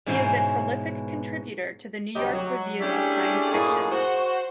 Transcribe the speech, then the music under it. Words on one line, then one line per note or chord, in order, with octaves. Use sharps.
He is a prolific contributor to the New York Review of Science Fiction.
G#2 B2 E3 C#4 C5 C6
D2 C3 F#3 G3 G4 D#5
F#3
A3 C#4 D4 E4 G4 G#4
F#2 A2 A#3 D#4 G#4
F#4 C5